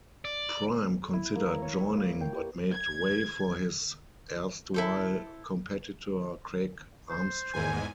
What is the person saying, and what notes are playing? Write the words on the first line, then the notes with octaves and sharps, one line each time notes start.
Prime considered joining but made way for his erstwhile competitor Craig Armstrong.
D5
E4
A#3
A#5
C#5
C#5
A#3
G5
G4
G#6
E4 A4 C5
C5
E2 G#2 G#5